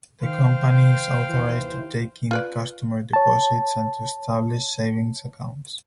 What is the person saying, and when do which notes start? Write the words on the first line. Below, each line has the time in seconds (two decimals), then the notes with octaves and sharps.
The company is authorized to take in customer deposits and to establish savings accounts.
0.23 D#3 C5 F5 G5
1.28 D#2 E3
2.31 F4 B4 D5
3.13 C#5 A5